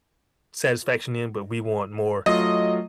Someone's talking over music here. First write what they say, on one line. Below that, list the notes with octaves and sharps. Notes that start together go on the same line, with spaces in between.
satisfaction in, but we want more
F#3 A3 F4 D#5